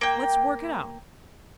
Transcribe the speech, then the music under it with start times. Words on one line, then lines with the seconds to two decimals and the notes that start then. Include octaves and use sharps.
Let's work it out.
0.01 A#3 G5